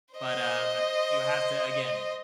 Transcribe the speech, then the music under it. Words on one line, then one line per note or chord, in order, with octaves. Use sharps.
But, um, you have to again,
C5 D#5